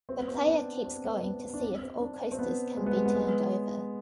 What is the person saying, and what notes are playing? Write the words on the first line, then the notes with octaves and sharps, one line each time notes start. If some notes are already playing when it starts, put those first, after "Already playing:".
The player keeps going to see if all coasters can be turned over.
C4
B3
C4
D4
C4
B3
B3
C4
D4
C4
C4
D4
C4
B3
G#3
B3
G#3
B3
G#3
B3